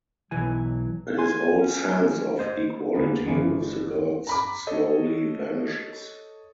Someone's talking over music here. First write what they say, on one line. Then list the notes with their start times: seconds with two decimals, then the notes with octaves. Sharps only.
His old sense of equality with the gods slowly vanishes.
0.31 B1 E3 F#3 G#5
1.18 G#5 C6
1.60 C#4
2.39 C5 D#5
2.94 D3 G#3 A#3 B3
3.26 G1 E3 F3
4.27 A#5 B5 D6
4.67 A4 C#5 D#5